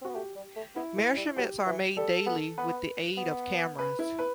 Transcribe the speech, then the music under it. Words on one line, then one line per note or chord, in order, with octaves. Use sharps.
Measurements are made daily with the aid of cameras.
C4
B3 F#4
A3 G4
G3
A3
B3 E4
A3
G3
F#3 G4
E3
G3 A4
B3
B3 B4
B3
B4
E4
B4